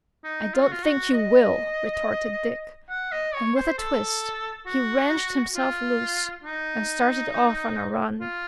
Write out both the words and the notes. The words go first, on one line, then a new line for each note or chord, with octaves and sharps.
"I don't think you will!" retorted Dick, and with a twist he wrenched himself loose and started off on a run.
D#4
F4
F#4
F4
F#4
D#5
F#5
D#5
C#5
C5
A4
F#4
F4
D#4
F4